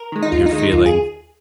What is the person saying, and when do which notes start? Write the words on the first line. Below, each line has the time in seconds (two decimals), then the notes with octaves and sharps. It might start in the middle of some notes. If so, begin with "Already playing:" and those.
you're feeling
Already playing: A#4
0.12 D#3 G#3
0.22 D#4
0.32 D#2 F4
0.46 D#4
0.52 D#3 G#3
0.58 D#4
0.72 D#2 F4
0.86 G#4